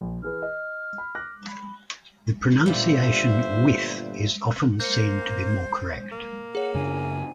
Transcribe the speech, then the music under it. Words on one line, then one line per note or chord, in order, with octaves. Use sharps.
The pronunciation with is often seen to be more correct.
A#1
E3 G#4 B4 F6
D#5
B5
D6 F#6 A#6
B5
G1 A#2 G3 C5 E5
A#3 C5 G6 C#7
A#3
G#4 C#5 F#5
F#2 C#3 D4 G#5